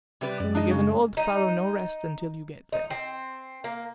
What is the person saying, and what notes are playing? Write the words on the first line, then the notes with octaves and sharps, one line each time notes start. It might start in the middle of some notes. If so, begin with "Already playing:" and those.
You give an old fellow no rest until you get there.
C3 G3 B4
F#2 G#3 D5
D4 D#4 D#5
C#3
D#4
D#4
C4
A#3